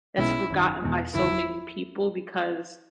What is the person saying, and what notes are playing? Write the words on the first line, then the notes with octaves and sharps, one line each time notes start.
that's forgotten by so many people because
B1 B2 G#3 C#4 E4 G#4
G#1 F#2 D#3
E2 B2 G#3
F#1 E2 D#3 E4